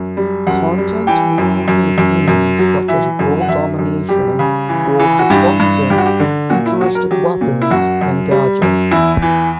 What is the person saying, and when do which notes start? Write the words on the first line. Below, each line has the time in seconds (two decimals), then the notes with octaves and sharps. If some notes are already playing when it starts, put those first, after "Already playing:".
Content may include themes such as world domination, world destruction, futuristic weapons, and gadgets.
Already playing: F#2
0.17 G3
0.47 F#2 F#5
0.78 G3
1.07 E3 G5
1.38 F#2
1.68 F#2
1.98 F#2
2.28 F#2
2.59 F#3
2.88 E3 E5
3.19 F#2
3.41 F#5
3.48 F#2 E5
3.79 F#2
4.09 G3 G4
4.39 C#3
4.69 E3
4.99 E3
5.19 F#4
5.30 G2 G4
5.60 G2
5.90 G2 G4
5.98 F#4
6.06 G4
6.20 D3
6.50 A#2 F#4
6.66 E4
6.81 F#3 F#4
6.95 A#4
7.11 F#3 G4
7.41 A#2
7.62 E4
7.70 F#2 F#4
8.01 F#2
8.31 G3
8.62 F#2
8.91 E2 E4
9.22 E3